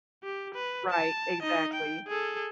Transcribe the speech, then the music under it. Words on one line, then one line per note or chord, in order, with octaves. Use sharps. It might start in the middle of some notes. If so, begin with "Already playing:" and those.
Right, exactly.
G4
B4
A5
D#4 D#5
G5
G#4 A4